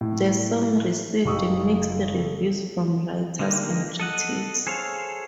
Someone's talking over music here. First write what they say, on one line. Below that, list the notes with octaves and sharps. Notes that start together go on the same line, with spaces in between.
The song received mixed reviews from writers and critics.
A2
F#1 D#4 G4 C#6 D#6 E6
A4
D3 G3 G#3 A#3 D#4
A4 D#5 F#5
G#4 A4 C5 C#5 F5